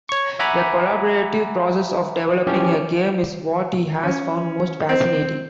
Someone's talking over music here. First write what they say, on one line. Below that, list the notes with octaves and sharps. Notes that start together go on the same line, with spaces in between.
The collaborative process of developing a game is what he has found most fascinating.
C#5 C#6
E5 F#5 G#5 A#5 B5 D6
E3 F3 C#4 G4
C#4
C4